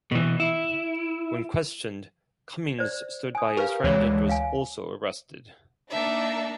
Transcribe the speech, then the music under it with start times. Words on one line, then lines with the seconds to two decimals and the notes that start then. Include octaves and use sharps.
When questioned, Cummings stood by his friend and was also arrested.
0.12 B2 E3
0.40 E4
2.79 C5 D5
3.35 G#5 D#6
3.57 G4 A#4 B4 F5
3.84 D2 E3 G#3 C#5
4.29 F5 G#5
5.90 A#3 D4 D#4 E5